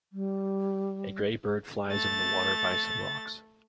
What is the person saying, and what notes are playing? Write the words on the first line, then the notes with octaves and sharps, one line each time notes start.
A gray bird flies over the water by some rocks.
G3
A3 A6